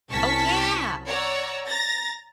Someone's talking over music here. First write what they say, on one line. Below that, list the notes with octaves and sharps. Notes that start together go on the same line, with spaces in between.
Oh, yeah.
C2 C#4 A5 C#6 B6 C#7
C#5 D5 F#5 A#5 E6
A#5 A6 A#6